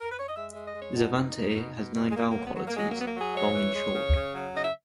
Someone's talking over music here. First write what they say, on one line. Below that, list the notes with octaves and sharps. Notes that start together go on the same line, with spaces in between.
Xavante has nine vowel qualities, long and short.
A#4
B4
C#5
D#5
G#3 E5
G#3 E5
D#5
G#3 C#5
B2 D#4
B2
B2
B2
B2
B2
G#3
B2 A#3
A#3
F#3
B3
F#3
A#3
F#3 G#3
A#3
F#3 B3
A#3
F#3
G#4
G#3 C#5
E3
G#3
C#3
C#3
F#3
C#3 D#5
E5